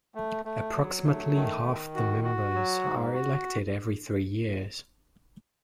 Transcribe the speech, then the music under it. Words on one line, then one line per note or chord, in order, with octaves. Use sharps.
Approximately half the members are elected every three years.
A3
A3
F#3
A3
D#3
D#3
F#4
F#4
F#3
G#2
F#4